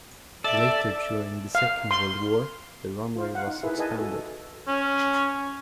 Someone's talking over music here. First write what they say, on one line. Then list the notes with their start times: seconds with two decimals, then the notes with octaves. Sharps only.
Later during the second World War, the runway was expanded.
0.44 A4 D5 E5
1.55 F5
1.91 C6
3.16 F4 C5 F5
3.35 F5 F#5
3.47 D#4
3.63 D#4 E4 G#4 A#4 B4 E5
3.78 G#4 B4 D#5 G#5 A5
3.99 F#4 A4
4.68 C#4